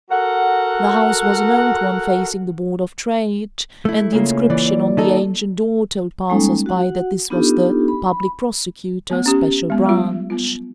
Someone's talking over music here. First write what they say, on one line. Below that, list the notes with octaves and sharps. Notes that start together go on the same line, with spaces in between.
The house was an old one facing the Board of Trade and the inscription on the ancient door told passers-by that this was the "Public Prosecutor, Special Branch."
F#4 A4 A#4 F#5
A3 E4
C#3 A#3 F4
E3 D5
D#3 D#4 A4
G3 G#3 A#3 C#4 D#4 A4
F#4 F#5
B3 D4 D#4 F4 G4 A4
B5
A3 B3 C#5
C#4 G4
G#3 B3
F#3 G3 F4
B3 F4